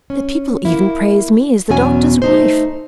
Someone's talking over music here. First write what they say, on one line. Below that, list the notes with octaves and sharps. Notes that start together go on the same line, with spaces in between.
The people even praise me as the doctor's wife.
C#4
A#3 E4
E2 B2 F#3 C#4 F#4 G#5
A3 D#4 C5